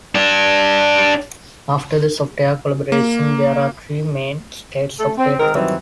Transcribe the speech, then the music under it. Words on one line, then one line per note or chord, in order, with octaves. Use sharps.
After the software collaboration, there are three main states of data flow.
D4 G4
A#3
A3 A4
C4
D#3 G#3 C4 A#4
G2 D#3 E3 F#3 C4